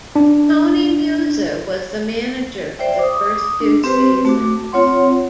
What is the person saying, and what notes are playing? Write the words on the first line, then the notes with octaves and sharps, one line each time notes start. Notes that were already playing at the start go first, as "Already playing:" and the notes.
Tony Muser was the manager for the first two seasons.
D4
C5 D5 E5 G5
D6 D#6
D4
C4 G4 B4 C5
A3 F#4 D6
C4 F4 C#5 F#5 C6